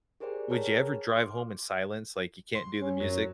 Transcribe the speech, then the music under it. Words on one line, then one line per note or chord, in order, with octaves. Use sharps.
would you ever drive home in silence, like, you can't do the music?
G4 G#4 A#4 C5 D5 G5
G#4 A#4 C#5 A5 A#5 F6
C6 D6 F6
C6
C#4 C#5
F#2 F#3